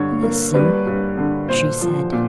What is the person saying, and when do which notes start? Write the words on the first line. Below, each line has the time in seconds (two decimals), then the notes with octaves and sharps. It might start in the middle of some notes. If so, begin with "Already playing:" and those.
"Listen," she said.
Already playing: G2 D3 C#5
0.23 A#3
0.54 G3 B4
0.86 G2
1.17 D3
1.49 A#2 C5
1.81 F3
2.12 A#2